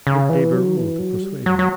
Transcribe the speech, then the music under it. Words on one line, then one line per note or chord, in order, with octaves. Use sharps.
Get de Berulle to persuade him.
C#3
E3
F#3
E3
F#3
G3
F#3
F#3